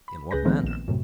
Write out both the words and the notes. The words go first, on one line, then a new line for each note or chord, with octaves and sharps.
"In what manner?"
B5
C#2 G#4 B4 G6 A#6
D#3 F3 G#3 A3 B3 C4
A#1 E7
F#2 A2 C3